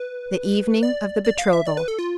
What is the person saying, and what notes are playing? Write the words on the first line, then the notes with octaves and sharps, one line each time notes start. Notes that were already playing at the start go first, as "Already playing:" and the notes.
The Evening of the Betrothal.
Already playing: B4
D5
D5
F5
E5
D5
B4
A4
F4